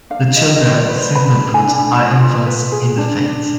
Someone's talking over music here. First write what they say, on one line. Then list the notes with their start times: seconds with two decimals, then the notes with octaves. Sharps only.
The Children, simply put, are infants in the faith.
0.10 D4 F5
0.36 F4 D#5
0.56 D#5
0.63 F4
0.75 D5
0.89 B4
0.96 C5
1.15 B4 B5
1.40 D4
1.54 G#5
1.67 D4
1.94 F4
2.20 F4
2.46 B4
2.72 G#4
2.98 D4
3.24 D4